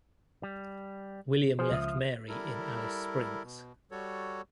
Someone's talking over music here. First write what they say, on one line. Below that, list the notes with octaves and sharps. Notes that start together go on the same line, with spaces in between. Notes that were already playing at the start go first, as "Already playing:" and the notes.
William left Mary in Alice Springs.
G3
F3 G#4 C5
C#2 E5 D#6
G3 E4 A4 A#4
B2
G3 F#4 A4 C#5